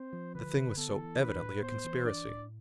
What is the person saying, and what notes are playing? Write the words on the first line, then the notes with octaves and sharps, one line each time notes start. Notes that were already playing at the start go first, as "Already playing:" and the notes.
The thing was so evidently a conspiracy.
Already playing: C4 C5
F3
D3 B4
D3
B3 A4
E3
D4 B4
A2
B3 C5
E3
D4 D5
A2